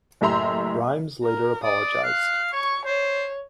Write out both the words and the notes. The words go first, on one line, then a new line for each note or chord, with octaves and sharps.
Rhymes later apologized.
F#1 A2 G4 E5 A#5 C6
A#4
D5 D#6
F5 F#6
C#5 C#6
C5 C#5